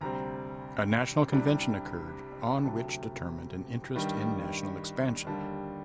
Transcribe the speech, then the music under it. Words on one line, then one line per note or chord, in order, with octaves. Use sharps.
A national convention occurred on which determined an interest in national expansion.
D2 C3 G3 C4 A#5
C2 C3 G3 D4
D2 C3 F#3 A3 A5
G2 D#3 G3
D#2 D3 G3 A5